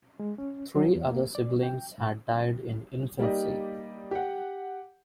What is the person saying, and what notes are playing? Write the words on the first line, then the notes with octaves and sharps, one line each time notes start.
Three other siblings had died in infancy.
G#3
C#4
F#3
E2
A#3
D5
G5
G#2
G3 A#3 D#4 G4 D5 D#5
G4 F#5